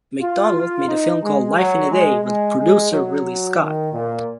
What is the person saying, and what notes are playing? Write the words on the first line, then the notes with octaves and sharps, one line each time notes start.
Macdonald made a film called "Life in a Day" with producer Ridley Scott.
F4
F4
D#4
G#3
F#3
G#3
G#3
G#3
F#3
D#3
A#2